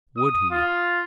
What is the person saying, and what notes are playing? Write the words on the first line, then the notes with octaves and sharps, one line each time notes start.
Would he!
D#6
F4